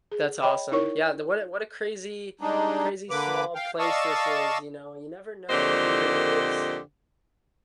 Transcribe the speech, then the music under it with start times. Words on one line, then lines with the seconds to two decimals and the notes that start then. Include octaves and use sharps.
That's awesome. Yeah, the what a what a crazy crazy small place this is, you know. You never know who it is.
0.12 G#4
0.42 C#5 D#5 G5 B5
0.72 D#4 E4 A#4 C#5 C#6
2.41 G3 G#3 D4 D#4
3.10 D3 A#3 B4 D6
3.55 F5 G5
3.79 D5 D#5 F5 A5 C#6 E6
5.50 F2 A#2 D3 G4 C5 D#5